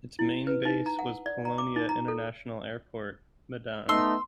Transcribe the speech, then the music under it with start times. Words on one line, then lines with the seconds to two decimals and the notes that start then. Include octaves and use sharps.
Its main base was Polonia International Airport, Medan.
0.19 E4
0.47 B4
0.65 D#4
0.86 A#5
0.99 F#5
1.26 D5
1.45 A#5
1.58 D6
1.76 D#4
1.89 A#5
2.08 A4
3.89 A3 B3 D#4 C6 E6